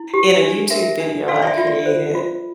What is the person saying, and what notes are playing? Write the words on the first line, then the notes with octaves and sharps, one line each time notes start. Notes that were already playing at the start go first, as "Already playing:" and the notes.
in a YouTube video I created,
Already playing: E4
G4
D4
A#4 E5
D4
A4 D5 F5
D5
E5
F4
D5
C5
F4